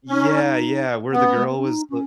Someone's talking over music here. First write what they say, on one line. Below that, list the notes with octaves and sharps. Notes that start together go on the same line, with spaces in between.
yeah, yeah. Where the girl was th
C#4 D#4
B3 C#4
G#3
A#3
B3
C#4
D#4
C#4